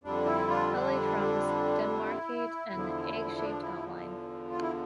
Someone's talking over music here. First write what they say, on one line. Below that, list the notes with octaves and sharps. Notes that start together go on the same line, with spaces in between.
Elytrums demarcate an egg-shaped outline.
F2 D3 G3 D4
E4
D4 F4
D4
E4
E2 D3 F3
D4
E4
F4
E4